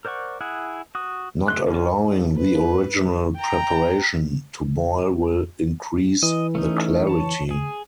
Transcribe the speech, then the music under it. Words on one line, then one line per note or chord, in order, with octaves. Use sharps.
Not allowing the original preparation to boil will increase the clarity.
A#4 C5 D5 F#5 C#6
E4 G#4 F#5
F#4 D#6
A3 C6 F#6
F3 F#3 C#4
B4
G5 A#5
E3 D#5
A3 C#4 D#4
C#5 A5
G#4